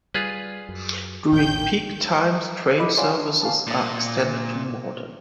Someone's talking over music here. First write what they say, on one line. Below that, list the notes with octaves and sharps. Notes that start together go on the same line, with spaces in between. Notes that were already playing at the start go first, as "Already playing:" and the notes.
During peak times train services are extended to Morden.
G3 F4 G#4 B4
F#2
A1 E2 G#2 G5 G6
E4 F4 A4 D#5 B5 D6
C#5 D5 F5 F#5 G#5 C6
D4
F5 G#5 A5
A#2